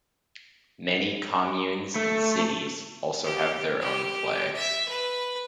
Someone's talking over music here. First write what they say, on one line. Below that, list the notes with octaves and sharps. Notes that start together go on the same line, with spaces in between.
Many communes and cities also have their own flags.
A3
G4
G4
E5
B4